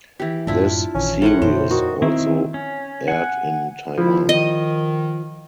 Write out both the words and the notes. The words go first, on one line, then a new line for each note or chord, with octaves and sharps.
This series also aired in Taiwan.
E3 G4
F#2 A2 F#3 D4 E4 F4
A#1 D#3 E3 C#4
A2 C#4 C5 F#5
F2 A#2 C5
D#3 F#4
D#3 C4 E4
C#4
F#5 G#5 F#6
F3 E4
D#3 D#5